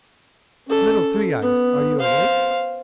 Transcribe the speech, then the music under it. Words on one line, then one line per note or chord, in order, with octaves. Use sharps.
'Little Three eyes, are you awake?'
C#4 A4
B3
C5 F5